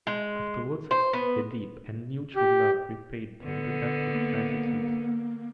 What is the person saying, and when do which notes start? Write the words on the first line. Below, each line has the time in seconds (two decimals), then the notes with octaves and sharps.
Afterwards a deep and mutual love repaid him the debt of gratitude.
0.07 G#3
0.91 C5
1.13 B3
2.36 G4
3.44 D3 B3
4.11 A#3